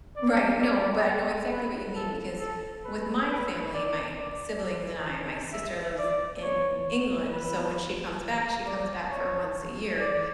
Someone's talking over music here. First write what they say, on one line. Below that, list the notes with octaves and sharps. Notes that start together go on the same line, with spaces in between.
Right. No, but I know exactly what you mean because, with my family, my siblings and I my sister lives in England, so when she comes back, she comes back for once a year,
D5
D5
B4
A4
A4
B4
B4
D5
D5
E5
D5
C#5
B4
D5
C#5
D5